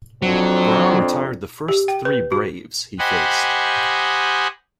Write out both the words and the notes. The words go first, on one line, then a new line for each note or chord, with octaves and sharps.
Brown retired the first three Braves he faced.
F2 F#3 C4 D4
G4
G5
B4
F#4
G4 C5 D#5 F#5 G#5 B5